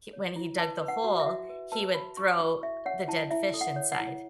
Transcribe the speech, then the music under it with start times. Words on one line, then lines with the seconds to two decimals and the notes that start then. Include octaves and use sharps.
he when he dug the hole, he would throw the dead fish inside
0.13 C#5
0.36 E4
0.58 B4 A5
0.82 B4
0.88 F#5
1.04 F#4
1.20 E5
1.26 F#4
1.50 B4
1.72 B4 A5
1.94 F#4 B5
2.17 F#4 C#6
2.40 E4 C#6
2.63 A4 E5
2.86 C#5 F#5
3.08 E4 A5
3.30 E4 E5
3.54 A4
3.61 F#5
3.76 C#5
3.92 F#5
4.00 E4